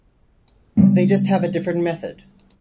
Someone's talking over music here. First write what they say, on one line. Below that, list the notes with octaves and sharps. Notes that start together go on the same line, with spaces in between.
They just have a different method.
C#3 F#3 G3 B3